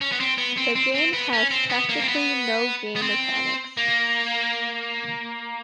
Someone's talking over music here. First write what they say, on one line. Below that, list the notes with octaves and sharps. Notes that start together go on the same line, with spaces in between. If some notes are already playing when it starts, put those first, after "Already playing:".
The game has practically no game mechanics.
C#4
B3
C4
B3
C4
C4
C4
B3
C#4
C4
B3
A#3
C4
B3
B3
C4
A#3